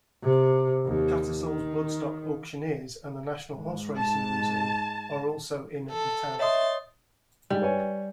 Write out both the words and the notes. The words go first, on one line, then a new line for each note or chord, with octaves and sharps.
Tattersalls bloodstock auctioneers and the National Horseracing Museum are also in the town.
C3
D#2
D#3
G#2
A5
A4
C#5 D#5 E5 C6 D#6 A6
G#2 G3
B4 C#5 G#5